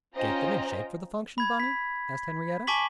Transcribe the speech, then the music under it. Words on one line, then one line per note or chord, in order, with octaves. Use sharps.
"Get them in shape for the function, Bunny?" asked Henriette.
C#4 F4 C5 D#5 G5 A#5
B5 G#6
B6
G#5 A5 C#6 D6 B6 F#7